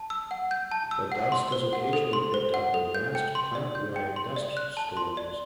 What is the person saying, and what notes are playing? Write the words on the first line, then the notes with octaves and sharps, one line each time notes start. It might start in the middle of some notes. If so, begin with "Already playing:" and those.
The dust is occasionally picked up in vast planet-wide dust storms.
Already playing: A5
E6
F#5
G6
A5
E6
F#5
C6
C5
F#5
A4
C6
C5
F#5
A4
G6
G5
C6
D5
G6
G5
C6
D5
F#6
A5
C6
D5